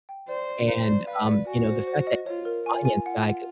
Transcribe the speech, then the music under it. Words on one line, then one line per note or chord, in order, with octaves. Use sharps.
and, um, you know, the fact that he was finance guy, 'cause,
G5
C5 D5
D5
C5 A#5
D5
B4 F5
D5
F#4 G#5
C5
C5
D#5
F4 C#5
A#4
F4 G#5
G#5
F4 F#5
F#5